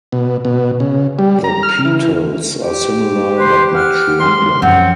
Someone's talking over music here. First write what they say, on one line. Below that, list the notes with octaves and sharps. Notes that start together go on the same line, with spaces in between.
The petals are similar but much longer.
B2
B2
C#3
G3
A#5
F6
E3
G4
B4 C5
F#5 F6
C6
F#2 F3 C4 F#5